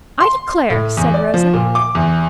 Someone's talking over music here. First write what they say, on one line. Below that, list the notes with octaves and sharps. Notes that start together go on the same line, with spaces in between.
"I declare!" said Rosa.
C6
A2
E2
D5
F3
A#2
D6
E2